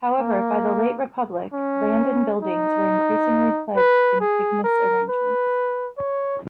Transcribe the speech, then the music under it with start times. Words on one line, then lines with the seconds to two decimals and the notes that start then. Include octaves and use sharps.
However, by the late Republic, land and buildings were increasingly pledged in pignus arrangements.
0.20 A#3
1.53 C#4
2.43 D#4
3.76 B4
4.21 G#4
4.64 A#4
5.09 B4
5.98 C#5